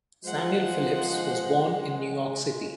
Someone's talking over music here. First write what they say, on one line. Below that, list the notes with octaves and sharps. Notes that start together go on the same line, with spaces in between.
Samuel Phillips was born in New York City.
F3 G#3 C5 F#5